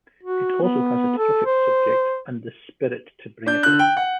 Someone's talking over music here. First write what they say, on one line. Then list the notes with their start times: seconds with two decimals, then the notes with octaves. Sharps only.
It also has a terrific subject and the spirit to bring it off.
0.23 F#4
0.63 B3
1.18 A4
1.45 C5
3.46 D4 G6
3.63 D3 F#6
3.79 G5
3.97 F#5